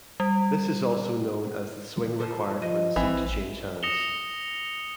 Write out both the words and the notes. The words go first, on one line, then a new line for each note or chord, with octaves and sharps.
This is also known as the swing required for the seat to change hands.
G3
F3 A4 C5
F3 D#5
A1 E3 C4
D#6 A#6 C#7 E7 F7 G7